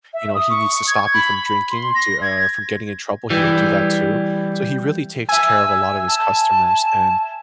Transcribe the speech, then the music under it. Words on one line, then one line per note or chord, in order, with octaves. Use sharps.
you know, he needs to stop you from drinking to, uh, from getting in trouble, he would do that too. So he really takes care of a lot of his customers and,
E5
D#6
C#6
G#6
B5
C6
A#6
G#6
E3 G3
E5 G#5 E6
A5